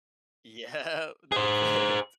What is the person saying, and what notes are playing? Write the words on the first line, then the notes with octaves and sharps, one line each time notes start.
Yep, that's it.
G#4 C5